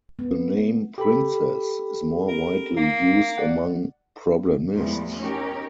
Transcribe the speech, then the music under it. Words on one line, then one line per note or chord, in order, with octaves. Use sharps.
The name princess is more widely used among problemists.
B3
G4 A4 B5
A#4
A#3
D5 F#5
E2 A2 F3 G3 G#3
C#4 D#4 G4 A#4